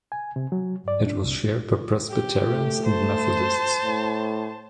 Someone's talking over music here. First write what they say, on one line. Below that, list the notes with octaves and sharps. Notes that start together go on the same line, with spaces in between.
It was shared by Presbyterians and Methodists.
G#5
C3
F#3
D5
D4
C2
G4
A3
C5 A5
A2